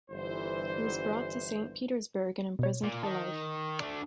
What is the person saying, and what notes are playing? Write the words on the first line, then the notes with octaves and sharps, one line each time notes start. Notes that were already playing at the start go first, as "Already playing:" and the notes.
He was brought to Saint Petersburg and imprisoned for life.
G1 D3 E3 C5
B2 C#5
A#2
D#3 A5
A3 D4